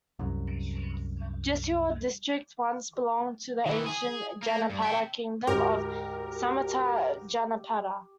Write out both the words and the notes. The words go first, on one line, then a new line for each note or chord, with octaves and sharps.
Jessore district once belonged to the ancient Janapada kingdom of Samatat Janapada.
C2 F#2
D#3 E3
G#4
A#3
G2
E5 G5
D2 G#2 G4 A#4